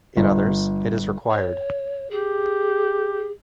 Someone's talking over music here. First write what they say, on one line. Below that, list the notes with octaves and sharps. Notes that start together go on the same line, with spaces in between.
In others it is required.
G1
C#5
G4 G#4